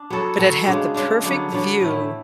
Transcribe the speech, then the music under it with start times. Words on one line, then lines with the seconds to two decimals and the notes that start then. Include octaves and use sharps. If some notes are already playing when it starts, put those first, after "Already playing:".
but it had the perfect view
Already playing: D4
0.10 F#3 B3 F#4 A4
0.38 F#3 B3 F#4 A4
0.67 C#3 G#3 D4
0.94 C#3 G#3 D4
1.23 D3 F#3 B3 D4
1.52 D3 F#3 B3 D4
1.80 A2 E3 A3 E4